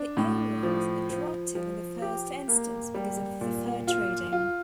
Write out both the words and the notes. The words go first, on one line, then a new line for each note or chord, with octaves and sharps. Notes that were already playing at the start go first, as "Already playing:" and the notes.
The area was attractive in the first instance because of the fur trading.
Already playing: D4
A2
F3
F3
F3
G4
A#3
G3
A#2
F4
F4